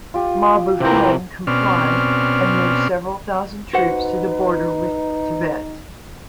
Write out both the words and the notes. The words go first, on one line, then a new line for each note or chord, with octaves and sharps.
Ma Bufang complied, and moved several thousand troops to the border with Tibet.
F4 G4
C3 E3 C4 A#4
B2 C4 C#4 D5 F6
D#4 F#4 B4 C5 F#5